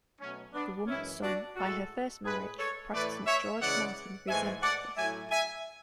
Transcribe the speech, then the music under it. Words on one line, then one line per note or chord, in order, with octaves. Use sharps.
The woman's son, by her first marriage, Protestant George Marten, resented this.
B2 F#3 A3 C#4
B3 D4
F#2 E3 G#3 C#4 E4
D4 F#4
A2 G#3 F#4 A4
A2 G#3 G#4 B4
A4 C#5
A2 E3 A3 B4 D5
C#5 E5
C#3 E3 G#3 D5 F#5
G#2 E3 A3 E5 G#5
D5 F#5
A2 F#3 A3 E5 G#5
E5 G#5